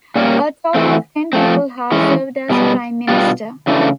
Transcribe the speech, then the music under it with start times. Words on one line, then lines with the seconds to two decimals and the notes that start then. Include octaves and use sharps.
A total of ten people have served as Prime Minister.
0.15 A#2 G3 A#3 C#4
0.75 E3 A3 C4
1.33 F3 A3 C4
1.92 E3 G#3 C#4
2.50 B2 G3 B3
3.08 B2 G3 B3 D4 F4
3.67 C#3 E3 A3 D4